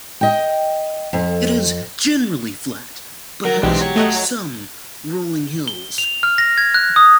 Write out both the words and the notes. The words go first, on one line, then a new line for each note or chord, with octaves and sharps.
It is generally flat, but has some rolling hills.
D#5 G5
F2
F#3 A#4
B1 E3 G#3 C4 D4 G4
F#3 C#5
A3 D#5 F#5
G7
F7
F6
A#6
G#6
F#6
D#6